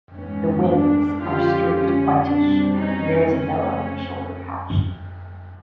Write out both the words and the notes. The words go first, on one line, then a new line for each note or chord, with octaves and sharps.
The wings are streaked whitish, and there is a yellow shoulder patch.
G#2 E3 G#3 B3 C#4
D4
D3 F3 G#3 C#4 F4 G4
C#4
B2 G3 C4 D4
C#4 D#4
C#3 F3 A3 C4 C#4